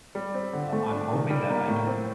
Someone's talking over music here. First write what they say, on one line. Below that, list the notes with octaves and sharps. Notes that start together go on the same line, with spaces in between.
uh, I'm hoping that I can
G3
C4
D3
A3
D4
D#3
G3
A#3
A2
C4